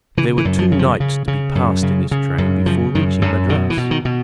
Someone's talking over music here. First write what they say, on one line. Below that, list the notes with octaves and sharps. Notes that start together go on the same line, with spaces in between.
There were two nights to be passed in this train before reaching Madras.
C#3 E3
E3
F#2
F3
C#3
F3
C#3
C#3
F#2
C#3
C#3
F#2
C#3 F3
F#2 D#3
F#2 D3
B2 D#3
E3
B2
D#3
B2